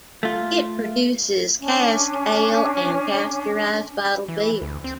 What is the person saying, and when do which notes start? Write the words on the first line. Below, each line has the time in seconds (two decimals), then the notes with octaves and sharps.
It produces cask ale and pasteurised bottled beers.
0.23 A3 F4
1.61 C#4 D4
4.28 E3
4.62 D2
4.84 C4